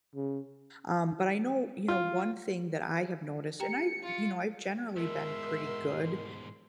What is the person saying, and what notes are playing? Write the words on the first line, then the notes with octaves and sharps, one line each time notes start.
Um, but I know you know, one thing that I have noticed and I you know, I've generally been pretty good
C#3
F4
G4 G5 A#5 C#7
F4
G#2 B2 G#3 A#4 E5 C6